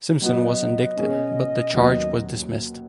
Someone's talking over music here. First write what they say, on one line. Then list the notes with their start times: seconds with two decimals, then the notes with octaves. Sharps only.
Simpson was indicted but the charge was dismissed.
0.22 F#3 B3 F#4 D#5
0.97 B2 G#3 C#4 G#4
1.73 D#2 D#3 F#3 B3 F#4 D#5